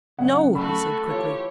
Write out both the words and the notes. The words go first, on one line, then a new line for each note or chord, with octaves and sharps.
"No!" he said, quickly.
F#2 C#3 F#5
A3 F#4 A4 B5
E3 F4 G4 C#5